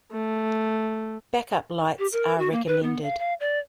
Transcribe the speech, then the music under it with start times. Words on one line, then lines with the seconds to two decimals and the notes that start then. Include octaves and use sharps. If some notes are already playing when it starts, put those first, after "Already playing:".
Backup lights are recommended.
0.12 A3
1.99 G4
2.12 A#4
2.38 F#4
2.52 A#3
2.67 B4
2.83 B3
3.03 F5
3.19 F5
3.40 D5